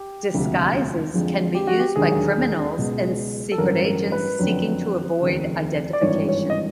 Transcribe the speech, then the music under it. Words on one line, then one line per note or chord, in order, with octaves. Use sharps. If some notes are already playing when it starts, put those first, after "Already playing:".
Disguises can be used by criminals and secret agents seeking to avoid identification.
Already playing: G4
E1 D2 C3 F3
F2 D3 F3 G#3
G4
F#4
G4
E1 D#2 D3 F#3 G#4
C#2 B2 G#3
A4
A1 G2 D3 F#3 A#4
A#4
B4
F#1 F2 D3 F#3
F1 D#2 C#3
D5
G#1 G2 E3 C#5
C#5
D#5